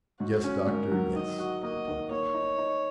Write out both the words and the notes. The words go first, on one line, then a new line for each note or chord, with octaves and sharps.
"Yes, Doctor, yes," replied the captain.
G#2 F#4
C#4
G#2 A#4
F#3
D#3 D#5
F#4
A#3 D#5
D#3
A#3 C#5
D#4
D#4